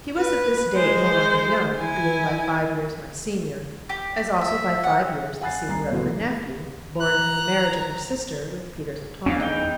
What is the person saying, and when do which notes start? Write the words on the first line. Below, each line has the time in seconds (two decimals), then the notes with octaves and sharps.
She was at this date no longer young, being by five years my senior, as also, by five years, the senior of her nephew, born from the marriage of her sister with Peters of Taunton.
0.17 B4
0.76 G#3 C5
1.78 E4 G#5
3.89 G4
4.41 E5
4.84 F#5
5.41 F#5 G#5 F#6 A6 C7
5.68 C2 A#5 C7
5.91 B2 D3 E3 F#3 A3 B3
7.00 A#5 F#6
9.26 E2 C#4 D4 F5
9.40 D#4 G5